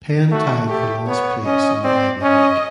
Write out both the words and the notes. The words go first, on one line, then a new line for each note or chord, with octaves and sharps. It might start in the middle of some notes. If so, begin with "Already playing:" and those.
Penn tied for last place in the Ivy League.
A3 F#4
A3 G4
B3 C#5
C#4 D#5
C4 D5
C#4 D#5